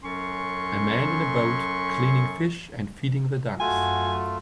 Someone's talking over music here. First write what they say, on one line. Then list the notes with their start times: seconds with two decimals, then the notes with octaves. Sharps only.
A man in a boat cleaning fish and feeding the ducks.
0.03 F#2 F#3 C#4 A4 C6 C#6
3.60 F#2 A3 F4 F#4 G#5